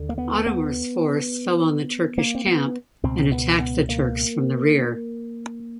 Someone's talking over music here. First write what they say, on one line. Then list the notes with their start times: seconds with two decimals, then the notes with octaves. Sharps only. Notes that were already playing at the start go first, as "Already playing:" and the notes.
Adhemar's force fell on the Turkish camp, and attacked the Turks from the rear.
Already playing: D#2 D3
0.09 A#3
0.18 B3
0.46 B3
2.18 A#3
2.35 C4
2.47 B3
3.03 C#2 B2 C4
3.32 B3
3.60 B3
3.89 A#3